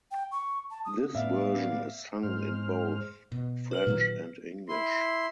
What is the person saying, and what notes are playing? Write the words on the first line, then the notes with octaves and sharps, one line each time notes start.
This version is sung in both French and English.
G5
C#6
A5
D#6
A2 B3 D5 E5 F5
G#2 C5 F6
B2
B4 F6 F#7
A#2 D#3 F#3
E4 C6